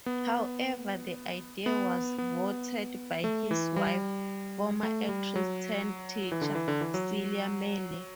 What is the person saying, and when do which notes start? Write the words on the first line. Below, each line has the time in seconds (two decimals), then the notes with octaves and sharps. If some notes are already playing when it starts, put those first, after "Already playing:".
However the idea was vetoed by his wife, former actress turned teacher, Celia Melia.
0.06 B3
1.66 B3
2.18 B3
3.24 A3
3.51 E3
3.76 G3
4.83 A3
5.09 G3
5.36 F#3
6.32 E3
6.41 D3
6.55 E3
6.68 D3
6.81 E3
6.94 F#3